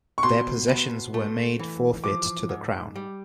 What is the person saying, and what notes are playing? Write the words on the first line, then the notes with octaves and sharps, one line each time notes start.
Their possessions were made forfeit to the crown.
C#6
B2 C6
B3
A3
E3
F3 D6
G#2
G3